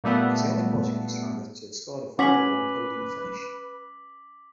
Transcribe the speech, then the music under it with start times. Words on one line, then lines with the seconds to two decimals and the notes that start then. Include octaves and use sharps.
He is the only Portuguese driver to have scored a Formula One podium finish.
0.04 A#2 G3 A3 B3
2.19 G#3 C#4 F#4 B4 D6 B6 F#7